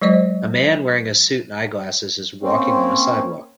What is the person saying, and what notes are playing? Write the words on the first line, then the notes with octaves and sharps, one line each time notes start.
A man wearing a suit and eyeglasses is walking on a sidewalk.
F#3 G#3 C5 D5 D#5
A#3 C4 C#4